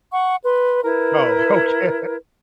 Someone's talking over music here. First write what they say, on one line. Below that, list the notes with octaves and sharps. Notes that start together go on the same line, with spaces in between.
Oh, okay.
F#5 C#6
B4 C6
E4 A#4 B4